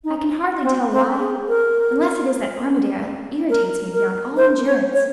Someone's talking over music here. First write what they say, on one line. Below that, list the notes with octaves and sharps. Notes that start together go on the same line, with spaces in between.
I can hardly tell why, unless it is that Armadale irritates me beyond all endurance.
D#4
C4
C4
G#4
A#4
A#4
A#4
C5
C#5
C#5